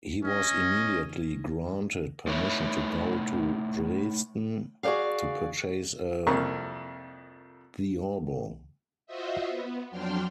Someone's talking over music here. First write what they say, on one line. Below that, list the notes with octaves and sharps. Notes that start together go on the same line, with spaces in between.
He was immediately granted permission to go to Dresden to purchase a theorbo.
C#4 D#5
A3 D#4 E4 B4 C#5 E5
F#4 G#4 C5 D5 F5
C2 F2 A#3 C#6
F4 F#4 C5 D#5 E5
B3
F2 F#3 D4 G5 C6 F6